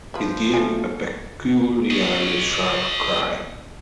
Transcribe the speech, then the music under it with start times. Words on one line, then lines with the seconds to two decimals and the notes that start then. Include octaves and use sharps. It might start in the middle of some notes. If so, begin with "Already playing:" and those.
It gave a peculiarly sharp cry.
0.14 F3 E4 B4
0.53 A3 D5 F5 G#5
1.91 C#5 D#5